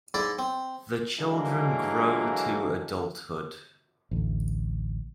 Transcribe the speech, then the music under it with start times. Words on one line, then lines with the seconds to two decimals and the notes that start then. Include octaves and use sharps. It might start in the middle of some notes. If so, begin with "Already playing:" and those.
The children grow to adulthood.
0.14 G#2 E4 D5
0.39 C4
1.17 D3 E3 F#3 G#3 A#3 D4
4.11 A1 D2